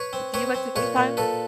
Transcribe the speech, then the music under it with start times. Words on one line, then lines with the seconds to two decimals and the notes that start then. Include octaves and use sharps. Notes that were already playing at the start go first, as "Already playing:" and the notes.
Do you like to FaceTime?
Already playing: B4 C#5
0.13 C4
0.34 C4 B4 C#5
0.55 C4
0.76 A#2 B4 C#5
0.96 A#2
1.17 A#2 A4 B4